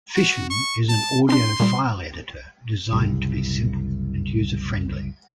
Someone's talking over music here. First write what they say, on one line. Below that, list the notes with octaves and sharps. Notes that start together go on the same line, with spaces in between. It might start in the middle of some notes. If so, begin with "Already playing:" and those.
Fission is an audio file editor designed to be simple and user-friendly.
F#4
C#6
A5
C4 D4 C6
A#2 G3
F#1 C2